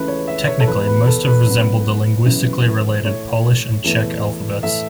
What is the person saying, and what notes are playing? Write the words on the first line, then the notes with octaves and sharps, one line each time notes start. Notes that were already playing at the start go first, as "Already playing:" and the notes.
Technically, most have resembled the linguistically related Polish and Czech alphabets.
Already playing: C#2 C#3 E3 A3 B4
C#5
E5
C#5
A4
E2 B2 B3 B4
B4
A4
B4
F#2 E3 B3
F#2 C#3 E3 B3
A2 A3 C#5
E2 E3 A3
A2 E3 A3 E5